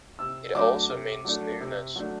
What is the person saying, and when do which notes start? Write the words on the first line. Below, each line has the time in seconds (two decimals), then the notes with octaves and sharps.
It also means Newness.
0.19 C3 E6
0.55 F#3 A3 D4 D6
0.89 C3
1.25 F#3 A3 D4
1.61 C3
1.96 F#3 A3 D4